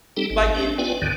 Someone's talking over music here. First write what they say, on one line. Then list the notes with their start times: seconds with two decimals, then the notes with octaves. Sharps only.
Like, he
0.17 G3 C4 D#4 G4 A4
0.30 G#1
0.55 D4 G4
0.78 B3 F4 B4 D5 G5 G#5
1.02 D2 G#2 D3 D#3